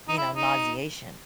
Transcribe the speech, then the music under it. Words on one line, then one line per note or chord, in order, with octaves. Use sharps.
you know, nauseation.
D#4
E4
D#4